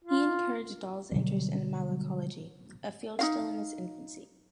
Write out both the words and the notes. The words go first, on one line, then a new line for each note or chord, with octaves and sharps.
He encouraged Dall's interest in malacology, a field still in its infancy.
F4
B2 D3 F#3 G3
D#4 F#4 F5